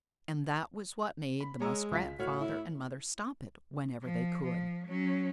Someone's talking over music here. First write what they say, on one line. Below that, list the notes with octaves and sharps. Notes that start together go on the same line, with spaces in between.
And that was what made the Muskrat father and mother stop it whenever they could.
B5
G#3 C#5 A#5 E6
C#2 F4 B6
A2 F#4 C#5 F6
E4
F3
F3
F#3 C#4